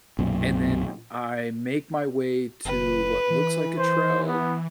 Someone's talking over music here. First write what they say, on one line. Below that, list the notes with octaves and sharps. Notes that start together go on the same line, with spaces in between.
and then I make my way to what looks like a trail,
B1 F#2 A#2
F#1 B4
E3
C5
B3